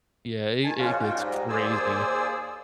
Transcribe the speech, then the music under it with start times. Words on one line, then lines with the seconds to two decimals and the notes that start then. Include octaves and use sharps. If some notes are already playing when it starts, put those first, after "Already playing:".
Yeah, it it gets crazy.
0.64 D#3 G#5 A5
0.79 A#2 F3 G#3 C#4 F4 F#4
1.02 F4 F#4 G5
1.14 G#2 G3 G#3
1.49 D#2 G#4 C5 D5 G#5 E6